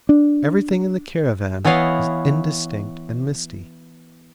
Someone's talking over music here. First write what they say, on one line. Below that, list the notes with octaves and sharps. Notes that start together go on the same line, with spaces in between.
Everything in the caravan was indistinct and misty.
D4
E3 B3 C#5 D#5 F5